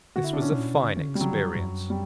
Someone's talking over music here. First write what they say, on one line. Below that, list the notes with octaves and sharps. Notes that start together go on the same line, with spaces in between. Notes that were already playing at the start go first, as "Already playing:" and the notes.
This was a fine experience.
D3 F#4
E4
D4
C#4
B2
A#2
B2
C#3
D3
D3
C#3
G3
C#3 F#3
D3
F#2
G3